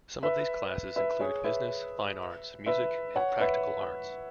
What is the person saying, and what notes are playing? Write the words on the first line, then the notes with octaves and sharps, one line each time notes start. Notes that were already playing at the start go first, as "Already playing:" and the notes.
Some of these classes include business, fine arts, music, and practical arts.
B4 E5
B4 E5
G#4 C#5
B4 E5
B4 E5
C#5 F#5
B4 E5